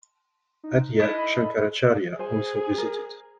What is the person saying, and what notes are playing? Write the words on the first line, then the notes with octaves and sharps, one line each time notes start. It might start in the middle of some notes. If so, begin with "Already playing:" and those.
Adya Shankaracharya also visited.
D#4
E4 A4 D#5
B5
G#4 C5 G#5
A#4